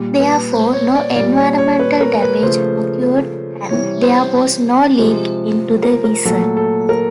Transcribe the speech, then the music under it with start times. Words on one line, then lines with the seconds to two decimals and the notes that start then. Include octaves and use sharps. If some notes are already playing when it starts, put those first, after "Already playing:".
Therefore, no environmental damage occurred and there was no leak into the vessel.
Already playing: A#2 G3
0.20 B4
0.52 C5
0.73 C#5
0.95 D5
1.16 A#2 G3 D5
1.37 C#5
1.58 C#5
1.79 B4
2.01 A#4
2.22 B4
2.43 C#3 F3 A3 C5
3.70 C3 E3 G3 C#5
4.02 C5
4.98 C3 F3 G#3
5.83 A#4
6.04 A#4
6.25 A#2 F#3 A3 A4
6.57 A4
6.89 A#4